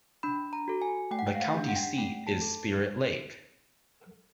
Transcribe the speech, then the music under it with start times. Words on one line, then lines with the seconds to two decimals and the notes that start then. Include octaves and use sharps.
The county seat is Spirit Lake.
0.23 D4 B5
0.53 A#5
0.68 F#4 A4
0.82 G#5
1.11 A3 G5
1.19 F#5
1.27 G5
1.35 F5
1.40 F#5
1.54 D4 G4
1.69 F#5
1.76 G5
1.83 F#5
1.97 A3 G5
2.27 A5
2.41 A4